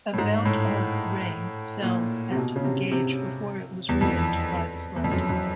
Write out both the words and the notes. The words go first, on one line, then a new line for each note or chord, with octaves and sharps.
About of rain fell at the gauge before it was ruined by the flood.
A2
G#2
A2
A#2
C3
B2
C#3
C3
C3
E2
F2
E2
F2
F#2
F#2